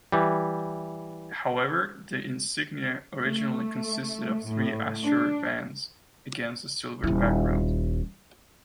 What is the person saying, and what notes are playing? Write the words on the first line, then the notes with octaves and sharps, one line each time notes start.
However, the insignia originally consisted of three azure bands against a silver background.
E3 G3
A3
A2
D4
D#1 E4